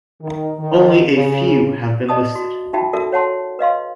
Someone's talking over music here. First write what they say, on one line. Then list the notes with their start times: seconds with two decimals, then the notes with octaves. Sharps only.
Only a few have been listed.
0.22 D#3
0.59 D#3
1.15 C#3
2.09 D5 D#5 A5 D#6
2.35 F#4
2.73 D#4 F4 F#4 E5 G5 A5
2.93 F#4 A4 A#4 D5 E5
3.12 C#5 F#5 A5 C6
3.59 B4 D#5 F5 C6